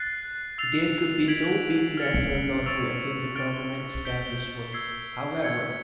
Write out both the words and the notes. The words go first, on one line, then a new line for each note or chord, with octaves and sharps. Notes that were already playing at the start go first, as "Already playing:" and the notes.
There could be no big national lottery until the Government established one, however.
Already playing: F#6 A6 C7
E6 A6 C7 F7
G#6 B6 D7 F#7
F6 A6 C#7
C#6 E6 A6 D7 F7
F6 A6 D7 G7
G6 B6 D7 G7
E6 G#6 C7
E6 G#6 C#7